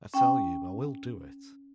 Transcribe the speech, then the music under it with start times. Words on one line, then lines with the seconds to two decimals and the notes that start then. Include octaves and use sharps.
I tell you I will do it.
0.14 C#4 G5